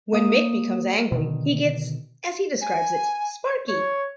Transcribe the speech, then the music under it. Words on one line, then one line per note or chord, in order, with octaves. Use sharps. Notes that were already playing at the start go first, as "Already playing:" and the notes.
When Mick becomes angry, he gets, as he describes it, sparky.
A#3 D#6
B2 D3 D#3
G#5
C#5